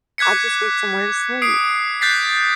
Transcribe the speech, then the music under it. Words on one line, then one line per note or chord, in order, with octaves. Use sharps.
I just need somewhere to sleep.
D6 F#6 G#6 B6 C#7
D#6 C7 D7
F#6 G6 A6 B6 C7